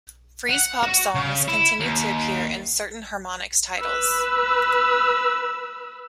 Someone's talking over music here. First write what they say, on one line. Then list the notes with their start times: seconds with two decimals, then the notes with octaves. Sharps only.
Freezepop songs continue to appear in certain Harmonix titles.
0.51 F#5
0.84 F#4
1.15 C#3
1.48 E4
1.80 D#2
3.80 B4 E6